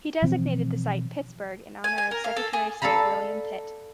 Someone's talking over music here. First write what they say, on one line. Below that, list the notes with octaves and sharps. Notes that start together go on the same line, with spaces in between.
He designated the site "Pittsburgh" in honor of Secretary of State William Pitt.
B2 E3 F3 C4
G#5
G#5
A#4
F5
A4
G#4
A4 D5 F5 A#5 B5